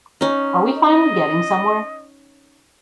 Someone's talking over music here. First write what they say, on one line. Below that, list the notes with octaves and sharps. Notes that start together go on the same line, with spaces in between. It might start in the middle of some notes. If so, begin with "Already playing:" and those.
Are we finally getting somewhere?
C#4 D#4
D#5